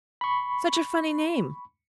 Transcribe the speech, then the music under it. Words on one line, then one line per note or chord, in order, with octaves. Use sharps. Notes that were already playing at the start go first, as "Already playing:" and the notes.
"Such a funny name."
B5 C#6